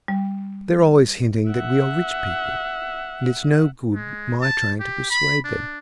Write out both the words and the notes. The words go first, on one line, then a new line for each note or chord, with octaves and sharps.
They're always hinting that we are rich people, and it's no good my trying to persuade them.
G3
E5 F#5
G#3
A5
G4
B5
D4